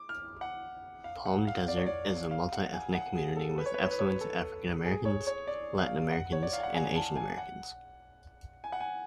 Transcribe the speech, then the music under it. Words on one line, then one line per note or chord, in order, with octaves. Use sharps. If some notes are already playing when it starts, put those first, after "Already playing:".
Palm Desert is a multi-ethnic community with affluent African-Americans, Latin Americans and Asian Americans.
Already playing: D6
F6
F#5
F5
F#5
F5
D5
C#5
D5
F5
F#5
G#5
F#5
G#4
A4
B4
C#5
B4
C#5
B4
C#5
B4
A4
G#4
C#5
C#5
D5
F5
F#5
C#5
D5
F5
F#5
G#5
A5
G#5
F#5
G#5
F#5
G#5